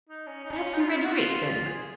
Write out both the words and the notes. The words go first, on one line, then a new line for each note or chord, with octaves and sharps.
Perhaps you read Greek, then?'
D#4
C#4
D#4
C#4
D#4
F4
D#4
F4
F#4
F4
G#4